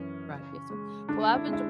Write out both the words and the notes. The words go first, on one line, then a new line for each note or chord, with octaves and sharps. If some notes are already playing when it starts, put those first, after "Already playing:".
Right, yes, sir, well, I've enjo
Already playing: F#2 E3 C#4
C#3
G#3
D3 D4
E4
G#3
E4